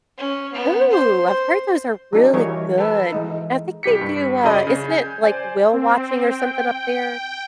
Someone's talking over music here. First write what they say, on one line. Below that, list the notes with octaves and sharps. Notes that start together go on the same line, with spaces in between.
Ooh, I've heard those are really good. I think they do, uh isn't it, like, whale watching or something up there?
C#4
B3
C5
C5
F#3 D4 D#4
E3 G3 G#4 A#4 C#5
A4 B4
E3 G#3 D#4
C2 G4 B6 C#7
G2
F#2 C#3 G#4 D5 D#5 B5
C#3
G#5 G6
C5 D5 G#5
C4
G5